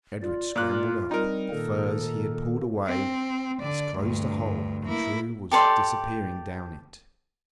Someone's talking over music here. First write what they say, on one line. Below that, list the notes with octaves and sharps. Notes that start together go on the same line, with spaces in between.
Edred scrambled up; the furze he had pulled away disclosed a hole, and True was disappearing down it.
F4 D5
A#2 F4 F#6
G3 C4 D#4 A#4
A#2 D#3 A#3 A4
C4
D3 D5
D2 G2
A#3 E4
G4 A4 D5 C6